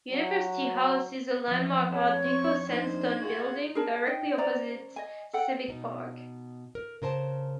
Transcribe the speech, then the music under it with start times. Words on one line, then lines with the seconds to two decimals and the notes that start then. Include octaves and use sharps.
University House is a landmark Art Deco sandstone building directly opposite Civic Park.
0.11 F#3
1.48 F2 E3 F3
1.92 A4 B4 C#5 A5
2.25 C4 C#6
2.69 A#3 D4 D#4 C5 G#6
3.22 F4 F#4 G#4
3.75 G#4 A#4 A5
4.07 D#4 D#5 G5
4.38 C#4 C5 D5 A#5
4.96 D#5 G#5
5.33 A4 F#5 G5
5.68 B2 D#4
6.75 A#4
7.02 C#3 A#4 C5 A5